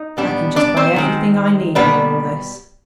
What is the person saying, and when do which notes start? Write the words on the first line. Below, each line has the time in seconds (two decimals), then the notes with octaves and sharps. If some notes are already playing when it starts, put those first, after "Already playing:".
"I can just buy everything I need with all this."
Already playing: D#4
0.17 A#2 G3 B3 D4
0.56 D4 D5
0.77 C4 C5
0.96 D#3 G#3 C4
1.75 B2 G3 A#3 B3 D4 B4